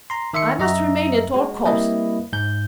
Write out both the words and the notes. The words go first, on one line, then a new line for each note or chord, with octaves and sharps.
I must remain at all costs!
A#5 C6
D#3 E5 C6 C#7
F#2 D#5 E5 A#5
G#3 F#4
G3 A#3 C4 E4 B4 D#5
G#2 G6